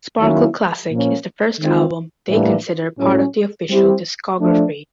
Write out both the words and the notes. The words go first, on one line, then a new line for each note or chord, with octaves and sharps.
"Sparkle Classic" is the first album they consider part of the official discography.
D#3 F#3 A#3 C#4 E4
A#2 F3 A#3 C#4
D#3 G#3 C4 F4
A2 E3 G3 A#3 D4
A2 F#3 A3 C#4
G3 C4 E4 G4
F3 A3 D4